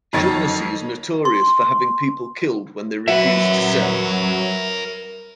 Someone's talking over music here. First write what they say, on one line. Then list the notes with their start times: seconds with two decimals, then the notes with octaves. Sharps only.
Shaughnessy is notorious for having people killed when they refuse to sell.
0.13 F2 D#3 F#3 C#5 A6
1.25 C6
3.08 F#3 A#4 B4 E5 F#5